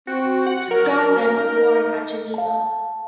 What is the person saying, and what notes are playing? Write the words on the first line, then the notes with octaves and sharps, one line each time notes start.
Gaussen was born at Geneva.
C4 F#4
F#5
F#3 A#4
C#4
D#4
F5 A5